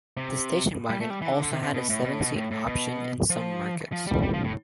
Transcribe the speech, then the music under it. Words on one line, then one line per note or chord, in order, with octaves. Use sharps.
The station wagon also had a seven-seat option in some markets.
C3
G3
A3
G3
E3
D3
D3
C3
C3
B2
A2
B2
A2
B2
A2
A2
B2
F3
F3
G3
G3
F3
A2